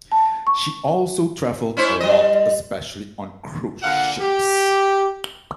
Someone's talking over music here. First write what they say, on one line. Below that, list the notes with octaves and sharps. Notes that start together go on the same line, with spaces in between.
She also traveled "a lot, especially on cruise ships".
A5
C#6
C#4 E4 C5
G3 D#5
A#2 D3 F5 F#5
G4